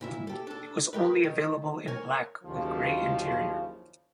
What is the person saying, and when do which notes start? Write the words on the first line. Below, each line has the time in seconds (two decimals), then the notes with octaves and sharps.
It was only available in black with gray interior.
0.01 A#2 E4 E5
0.27 G4 A4
0.47 D4 A4
0.93 G4 A#4 B4
1.24 D#3
1.87 A#4 C#5 G#5
2.43 F#1 D#2 C#3 F3